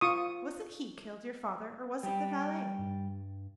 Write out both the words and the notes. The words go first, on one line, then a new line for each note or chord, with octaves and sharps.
Was it he killed your father or was it the valet?
F4 C#6 D#6
G3 G4 G5
G2